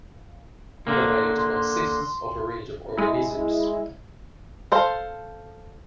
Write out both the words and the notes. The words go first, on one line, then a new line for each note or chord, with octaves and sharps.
The biota consists of a range of organisms.
D3 A#3 C6
G#3 E4
A4 C5 F5